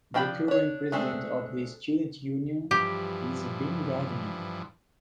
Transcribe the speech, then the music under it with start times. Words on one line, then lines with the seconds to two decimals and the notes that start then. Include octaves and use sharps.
The current president of the Student Union is Ben Gardiner.
0.14 F3 D4 G5 A#5 B5
0.48 D4 C#5
0.92 G#3 A3 C4 D4
2.71 G2 E3 F3 G4